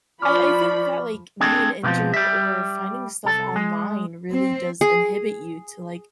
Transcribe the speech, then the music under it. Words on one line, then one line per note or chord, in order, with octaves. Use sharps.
I I think that, like, being injured or finding stuff online really does inhibit you to, like,
F3 D5 B5 C#6 D6 F6
C4 D4 G#4 A4
B2 D3 E3 F3 C4
G3 E5
C2 A4
G#3
C4
G#4